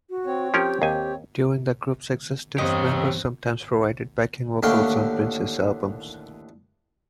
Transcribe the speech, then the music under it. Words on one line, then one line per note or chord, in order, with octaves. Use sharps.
During the group's existence, members sometimes provided backing vocals on Prince's albums.
F#4
C4 C#5
F3 C#4 G4 A#4
D#2 G4 G#5
E2 G2 D#3 C4 G4 C#5 D#5 G5
D#2 A2 D3 F5 G5 C#6